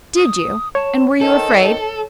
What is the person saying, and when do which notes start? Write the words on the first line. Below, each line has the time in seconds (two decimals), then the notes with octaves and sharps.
"Did you? and were you afraid?"
0.16 D#6
0.75 C#5 A5
1.21 D#3 A4 C5